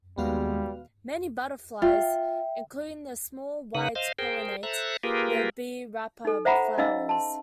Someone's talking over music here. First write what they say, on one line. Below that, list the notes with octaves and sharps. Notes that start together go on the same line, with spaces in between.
Many butterflies, including the small white, pollinate the "B. rapa" flowers.
D#2 G3 G#3 B3 F#4 F5
F4 E5 G5
C#3 D#4 B4 F#5
C5 D#5 F5
G#4 A#4 C5 G5
A4 C5 E5 A#5 F#6
A#3 F4 G4 G#4 A#4 B4
D#4 A4
C5 E5 F#5 A#5 B5
C#4 D#4 D#5 F5 E6
A5 C6